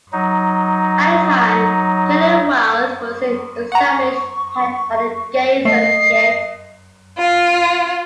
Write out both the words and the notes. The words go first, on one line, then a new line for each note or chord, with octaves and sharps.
At the time, Kelly Wilde was an established act on the gay circuit.
F#3 D#4
F#5 A#5 C#6
A3 D#5 C7
F4